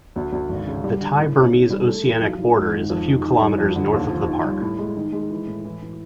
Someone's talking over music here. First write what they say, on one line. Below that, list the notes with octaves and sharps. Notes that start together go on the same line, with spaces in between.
The Thai-Burmese oceanic border is a few kilometers north of the park.
D2
D2
G#1
C#3
G3
D3
A2
C#4
D#3
G3
A3
E3
B1
B1
G#2
D#3
F2
D#3
D#3
G3
F2
D3
D#2
F3
D#3
G3
A2
G#3
D#3
G#3
E3
A2
E3
E3